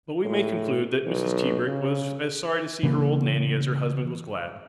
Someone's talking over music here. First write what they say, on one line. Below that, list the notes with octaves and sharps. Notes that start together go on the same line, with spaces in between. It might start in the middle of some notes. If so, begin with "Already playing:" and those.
But we may conclude that Mrs. Tebrick was as sorry to see her old Nanny as her husband was glad.
A2
B1
C#3
C#3 E3 A#3